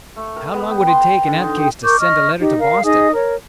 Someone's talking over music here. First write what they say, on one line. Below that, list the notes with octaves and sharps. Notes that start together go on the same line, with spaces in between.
How long would it take, in that case, to send a letter to Boston?
A3
A#4
B3
G5
C6
A#5
D3
D#4
G4
A#4 C#6 D6 G6
D#5 C#6 F6
D#4 G4
A#4 F5
D#4 G#4 D#5 D#6
A#4 C#5